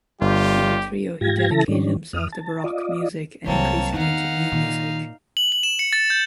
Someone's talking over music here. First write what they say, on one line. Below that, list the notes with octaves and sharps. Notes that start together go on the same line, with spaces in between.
With the trio he dedicated himself to baroque music and increasingly to new music.
G1 G3 F4 G4
G#2 F4 G4 G#6 A#6
C#3 E3 E4 A4 A5 A#6
G#2 D#3 G3 C#4 D4
F2 D#6 F6
A5
F4 D5 D#5
C2 F#3 A#3 C4 C#5 A5
E2 D#3 D#4 F5 F#5
A#2
F#7
F#7
E7
C#7
A6
G6